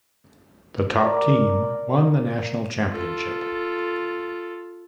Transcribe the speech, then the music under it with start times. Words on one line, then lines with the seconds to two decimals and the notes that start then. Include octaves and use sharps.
The top team won the national championship.
1.02 A#4 D5
2.90 F4 A4